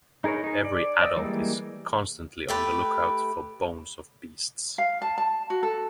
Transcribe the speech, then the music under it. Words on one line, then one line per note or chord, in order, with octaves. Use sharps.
Every adult is constantly on the lookout for bones of beasts.
D#4 G#4 A#4 B4 C#5
D#4 G#4
D5
D5 D#5 G5 D#6 E6
E3 G3 G#3 A#3
A3 G4 B4
F5
A5
A5
F#4
A4